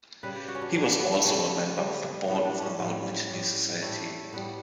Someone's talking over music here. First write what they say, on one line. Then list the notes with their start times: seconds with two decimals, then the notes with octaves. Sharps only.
He was also a member of the Board of the Mount Nittany Society.
0.23 C#3 G3 B4
0.36 G4
0.48 F#4
0.55 C#4
0.62 D4
0.73 C#3 G3 C#4
0.86 C#4
1.00 B3
1.12 A3
1.25 C#3 G3 C#4
1.77 C#3 G3
2.27 A2 G3 B3
2.45 D4
2.62 C#4
2.79 A2 G3
3.30 A2 G3
3.82 A2 G3 A3
4.32 A2 G3 B3